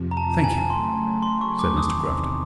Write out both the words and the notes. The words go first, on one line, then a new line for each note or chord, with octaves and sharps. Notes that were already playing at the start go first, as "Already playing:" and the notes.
"Thank you," said Mr. Grafton.
Already playing: F2 C3 F3
A#5
A5
A5
G#5
A5
C#3 F#3 A3 C6
C6
C#6
D6
E2 C3 D#3 D#6